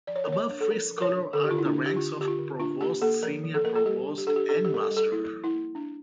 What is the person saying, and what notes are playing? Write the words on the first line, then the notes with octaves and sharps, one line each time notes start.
Above Free Scholar are the ranks of Provost, Senior Provost, and Master.
F3 D5
C#5
A#4
A#3 C#5
D4
A4
F3 A#4
F3
A#4
C#5
D4
D3 A4
G4
F4
D3 E4
D4
D3
G4
D3 F4
D3 G4
F4
D3
D4 F4
A#3 G4
A#3 A4
F3 A#4
F3
A4
A#3 A#4
A4
G3 G4
D4
G4
D4 A4
G4
D4 A4
G4
G3 A#4
A4
G3
A4
A#3 E4
F3
E4
A#3
D4